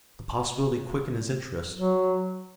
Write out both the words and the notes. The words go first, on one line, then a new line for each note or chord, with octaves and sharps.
The possibility quickened his interest.
F#3